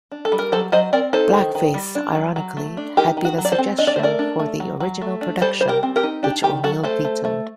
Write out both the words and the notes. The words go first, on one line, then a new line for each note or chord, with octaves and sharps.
Blackface, ironically, had been a suggestion for the original production, which O'Neill vetoed.
D4
A4
G3
A#4
F#3 A4 C5
F#3 C5 D#5
C4 A#4 D5
D#4 A4 C5
D#3
D#3
G3
D4
F#3
F#3
A3
D4
D#4 G4 A#4
D#3
F#4
F#3
D5
A4 C5
C4
D4 D#5
D5
C5
A3 A#4 D5
D4
A3
F#3
F#3
A3
D4
G3 A4 C5
G3 C5
G4 A#4
C4
G4 A#4
D#4
D4 G4
D#3 G4
F#3 F#4 A4
A3 A4 C5
A3
A3